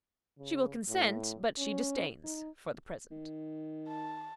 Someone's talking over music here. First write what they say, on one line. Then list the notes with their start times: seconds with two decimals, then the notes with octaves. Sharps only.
She will consent, but she disdains--for the present.
0.38 C#3
0.89 A2
1.58 C#4
2.24 D#4
3.11 D#3
3.88 A5